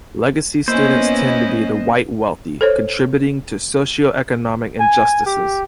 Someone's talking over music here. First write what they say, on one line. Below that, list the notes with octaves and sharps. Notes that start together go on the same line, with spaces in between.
Legacy students tend to be the white wealthy, contributing to socioeconomic injustices.
A#3 B3 C#4 E4 C5 D#5
A4 C5 C#5
G#5
G4